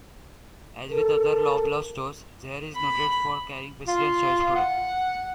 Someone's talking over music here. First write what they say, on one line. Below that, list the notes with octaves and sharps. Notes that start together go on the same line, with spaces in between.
As with other Loblaw stores, Zehrs is noted for carrying President's Choice products.
A4 A#4
B5
F4
F#5